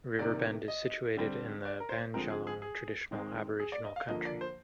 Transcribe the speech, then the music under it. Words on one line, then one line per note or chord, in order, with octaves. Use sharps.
Riverbend is situated in the Bundjalung traditional Aboriginal country.
C3 D#3 A#3 D5
D#5
D3 G3 C4
D5
A#4
C5
D3 F3 G#3 C4 A#4
G#4
G#4
G#4
D#3 G#3 C4
G#4
D5
D#5
F5
D3 F3 A#3 D#5
D5
C5